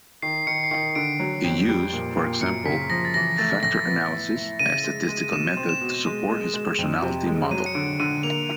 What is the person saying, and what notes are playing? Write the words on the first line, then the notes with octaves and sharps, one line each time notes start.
He used, for example, factor analysis, a statistical method, to support his personality model.
D#3 C7
D#3 C#7
C7
D#3 C#7
D3 D7
F#3
F2
G3
A#2
A#2
F#2 C#7
C#3 B6
F3 A#6
A6
E3 A#6
A3 A6
A2 A#6
B3
E4
E4
C#3 D#7
G#3
G#3
B2 E7
C4
E7
B2
G#3
G#3
G#3
F2
C3
G#3
F#3 D#7
C#7
D3 D7
D3 D#7
A#3 F7